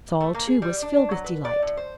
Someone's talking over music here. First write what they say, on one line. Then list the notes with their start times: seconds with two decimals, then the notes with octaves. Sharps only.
Saul, too, was filled with delight.
0.20 A3
0.34 A#3
0.47 G#4
0.62 G3
0.82 D4
1.11 F#3
1.24 B4
1.45 D5
1.62 A2
1.77 C5